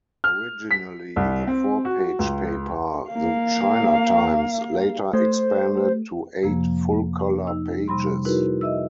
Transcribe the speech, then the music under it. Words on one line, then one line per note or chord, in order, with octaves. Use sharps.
Originally a four-page paper, the "China Times" later expanded to eight full-colour pages.
F6
B6
C2
C4
F#4
C#2
A#3 F5
A3 C5
F2 C3 F3 A#3
D#4 E6
C3 G3 B5 C6
D#4 E4 F#4 G#4 A#4 B4
D#5 E5 E6